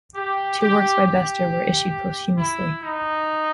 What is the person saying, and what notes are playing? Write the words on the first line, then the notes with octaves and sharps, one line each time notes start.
Two works by Bester were issued posthumously.
G4
G4
G4
E4
D#4